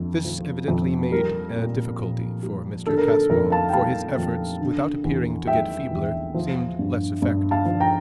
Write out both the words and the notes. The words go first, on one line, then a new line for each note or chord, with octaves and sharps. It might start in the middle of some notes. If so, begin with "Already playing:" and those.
This evidently made a difficulty for Mr. Caswall, for his efforts, without appearing to get feebler, seemed less effective.
Already playing: F2 D3
F3
F2
G3 A#4
A#2
A#2
G3
D3 A4
A#4
A4
F2 A#4
F5 A5
G5
G3 F5 A5
F2
D3
E2
G3 E5 G5
E2
F3
G2
G2
F5 A5
F3
G5 A#5